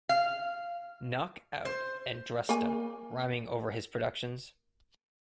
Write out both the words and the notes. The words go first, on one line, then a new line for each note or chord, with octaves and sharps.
Knocc Out, and Dresta, rhyming over his productions.
F5
C5
A#3 G#5